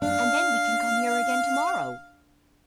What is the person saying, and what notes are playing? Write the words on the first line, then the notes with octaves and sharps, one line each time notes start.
"And then we can come here again to-morrow."
D4 F5